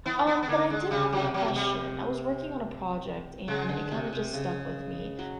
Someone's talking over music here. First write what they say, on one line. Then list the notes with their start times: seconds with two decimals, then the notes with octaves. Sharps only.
Um, but I did have a question. I was working on a project, and it kinda just stuck with me.
0.06 E3 B3
0.27 B3
0.42 B3
0.48 D3 A#3
0.70 G#3
0.91 C#3 G3
1.12 F#3
1.20 C3
1.34 F#3
1.48 C3
1.56 G3
3.48 C#3 G#3
3.69 D3
3.91 C3
4.13 C3
4.34 C#3
5.19 F#3